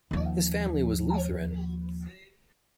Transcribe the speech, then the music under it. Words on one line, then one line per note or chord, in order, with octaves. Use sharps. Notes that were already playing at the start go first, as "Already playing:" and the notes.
His family was Lutheran.
D#2 F3